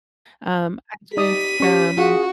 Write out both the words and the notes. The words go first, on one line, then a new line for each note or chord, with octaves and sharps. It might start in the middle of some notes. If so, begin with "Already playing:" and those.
Um, I just, um
D#4 G4 D5 D#6 B6 D#7
C#4 G4 C#6
F4 F#4 G#4